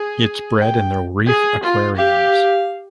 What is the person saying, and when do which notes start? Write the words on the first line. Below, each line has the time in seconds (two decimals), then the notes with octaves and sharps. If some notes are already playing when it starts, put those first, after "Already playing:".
It’s bred in the reef aquariums.
Already playing: G#4
0.61 G5
1.30 G#4
1.65 F4
1.98 G4 F5